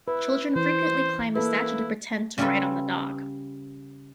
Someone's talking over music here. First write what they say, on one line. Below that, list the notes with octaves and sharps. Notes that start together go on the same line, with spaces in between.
Children frequently climb the statue to pretend to ride on the dog.
E4 B4
E3 C5
A#3 E4 A4 B4
C#3 G3 C#4 F4 A4 B4